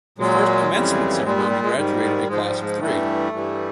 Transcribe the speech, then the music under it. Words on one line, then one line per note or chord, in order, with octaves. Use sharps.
The first commencement ceremony graduated a class of three.
A#2 F#3 G#3
F2 C#3 E3 G3
A#2 G3 G#3
G#3
G3
G#3
G#2 D#3 G3
G#2 F3 G#3
G3
G#3
G2 E3 G3 A3
G2 E3 G3